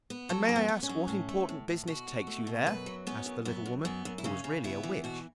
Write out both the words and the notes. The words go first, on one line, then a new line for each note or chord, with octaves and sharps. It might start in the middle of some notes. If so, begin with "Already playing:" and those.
'And may I ask what important business takes you there?' asked the little woman, who was really a witch.
B3
F#3 A4
F#2
B3
B3
C#4
F#2
A2
A3
A2
A2
B2 F#4
B2
A3
B2
F#2 B4
F#3
B3 C#4
F#2
F#2 B3
F#2
F#2 B3
F#2
E4
C#3 C#4
C#3
B3 E4
E3
B2 F#4